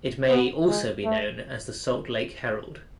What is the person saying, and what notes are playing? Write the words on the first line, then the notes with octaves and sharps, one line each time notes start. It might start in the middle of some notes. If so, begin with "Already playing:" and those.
It may also be known as the Salt Lake Herald.
B3
G#3
A3